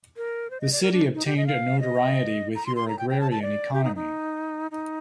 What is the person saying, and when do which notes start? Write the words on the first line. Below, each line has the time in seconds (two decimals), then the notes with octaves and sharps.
The city obtained a notoriety with your agrarian economy.
0.17 A#4
0.50 C5
0.61 D#5
0.72 D5
0.82 A#4
0.92 D4
1.15 D#4
1.25 G4
1.37 D#5
1.47 F5
1.80 D#5
2.55 A#5
2.66 C6
2.76 C6
2.88 A#5
2.99 G5
3.10 G5
3.20 A5
3.31 A5
3.42 D5
3.73 G4
3.84 D#4
3.96 D#4
4.71 D#4